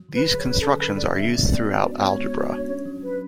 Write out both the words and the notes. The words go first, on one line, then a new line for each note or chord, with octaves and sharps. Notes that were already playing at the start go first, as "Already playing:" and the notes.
These constructions are used throughout algebra.
Already playing: F#3
D3
B4
G#4 B4
C#5
C#4
B4
F#3 A4
A4
D3 B4
G#4 D5
C#4 E5
B3 D5
G#3
F#4
D4
D5
B3 C#5
G#3
F#4
D4
C#4
F#3
F#3 B4